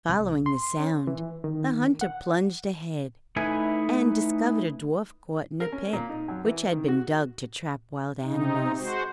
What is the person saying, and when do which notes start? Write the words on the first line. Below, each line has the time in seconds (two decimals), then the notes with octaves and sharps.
Following the sound, the hunter plunged ahead, and discovered a dwarf caught in a pit which had been dug to trap wild animals.
0.09 C2
0.46 C6
0.79 C#4
1.07 E3
1.44 D#3
2.01 F#5
3.36 A3 D#4 E4 B4 G#5
5.60 A#4
5.72 C#4
5.93 A#2
6.09 D#4
6.28 F#2
6.45 E3
6.72 D#3
6.88 F#4
8.22 C3 D#4
8.78 G#3 F#4 C5